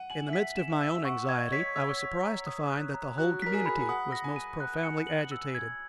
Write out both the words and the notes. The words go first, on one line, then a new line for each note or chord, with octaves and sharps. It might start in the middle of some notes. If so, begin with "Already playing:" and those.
In the midst of my own anxiety I was surprised to find that the whole community was most profoundly agitated.
Already playing: F#5 D#7
G#5 F#7
E5
F#5 B6
E7
E5
E6
E5
F#5 C#6
D#5 G#6
C#5 B6
C#5 E6
B6
A#5
D#6
F#6
A#5
F#4 F#6
A#4 B6
G#4
B5
G#5
F#5 D#6
A#6
G#5
D#7
F#6
C#7
F#7
E6
G#6